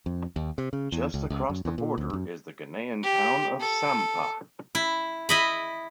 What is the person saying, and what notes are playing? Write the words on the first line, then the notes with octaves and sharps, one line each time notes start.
Just across the border is the Ghanaian town of Sampa.
F2
D#2
C3
C#3
E2
C#2
C#2
F#2
E2
A#2
D2
F#2
G4
A4
E4
E4 D#5 B5